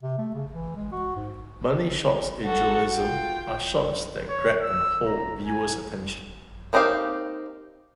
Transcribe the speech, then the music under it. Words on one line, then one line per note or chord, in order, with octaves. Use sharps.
Money shots in journalism are shots that grab and hold viewers' attention.
C3
A3
C#3
E3
G#3
F#4
G#2
F#4 A4
F4 G5
C#5
E6
A#5
G#5
A#3 C4 D#4 G4 F5